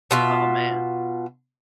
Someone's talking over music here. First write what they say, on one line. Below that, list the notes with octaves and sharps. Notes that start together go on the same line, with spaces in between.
Oh, man,
B2 F4 E5